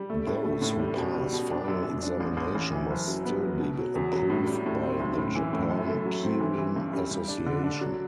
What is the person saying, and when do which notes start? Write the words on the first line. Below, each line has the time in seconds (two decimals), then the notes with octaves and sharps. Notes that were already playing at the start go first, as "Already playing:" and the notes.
Those who pass final examination must still be approved by the Japan Keirin Association.
Already playing: G3
0.10 A3
0.27 A2
0.45 A3
0.62 A2
0.80 G3
0.97 B2
1.15 G3
1.33 B2
1.50 D4
1.68 F#2
1.85 F#2
2.02 D4
2.20 A1
2.37 A1
2.55 A1
2.73 E3
2.90 F#1
3.08 F#3
3.25 B3
3.43 F#3
3.60 B2
3.78 F#3
3.95 E2
4.13 F#3
4.30 A2
4.48 G3
4.66 A2
4.83 C4
5.00 B1
5.18 A2
5.35 E3
5.53 A2
5.71 F#2
5.88 A3
6.06 F#3
6.23 C4
6.40 E3
6.58 E3
6.76 G2
6.93 G3
7.11 G3
7.28 D4
7.46 D3
7.64 D4
7.81 F#3